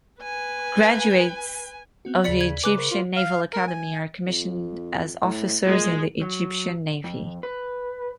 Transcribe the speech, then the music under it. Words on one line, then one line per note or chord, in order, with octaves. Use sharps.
Graduates of the Egyptian Naval Academy are commissioned as officers in the Egyptian Navy.
B4 G#5
B3 C4 F#4
D#2 C#3 D5 B6 C#7 F#7
G#6
C#3 B4 G#5 D6 F#6
A#4 C5 C#6
F4
F5
A#4
G#5
F2
A2
A#2 G#3
F#3
F2
B4